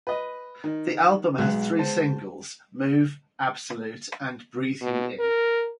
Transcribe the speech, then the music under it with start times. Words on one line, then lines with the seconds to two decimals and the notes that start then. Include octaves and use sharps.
The album has three singles: "Move", "Absolute" and "Breathe You In".
0.07 B4 D#5
0.64 D#3
1.38 B1 G#3 B3 F#6
1.79 C5 A5
4.82 B2
5.19 A#4